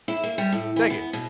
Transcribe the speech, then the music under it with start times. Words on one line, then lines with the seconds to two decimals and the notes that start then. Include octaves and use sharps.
Thank you.
0.08 E4
0.23 A#3
0.38 G3
0.52 A2
0.76 E3
0.90 B3
1.13 B2